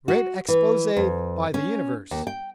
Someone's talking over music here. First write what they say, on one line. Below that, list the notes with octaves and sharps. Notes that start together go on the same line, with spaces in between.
Great Expose by the 'Universe'!
F#4
E3
F2
C#4
D#2
G5